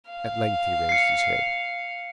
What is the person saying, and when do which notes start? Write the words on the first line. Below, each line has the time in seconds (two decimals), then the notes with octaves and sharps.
At length he raised his head.
0.10 F5
0.89 C7 C#7